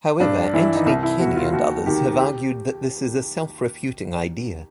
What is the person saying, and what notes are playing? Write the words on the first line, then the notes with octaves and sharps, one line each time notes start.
However Anthony Kenny and others have argued that this is a self-refuting idea.
G2 D4
E3 E4
D#4
C2 E4
E4
B2 F#4
F4
D#2 F#4
D#3 G4
G4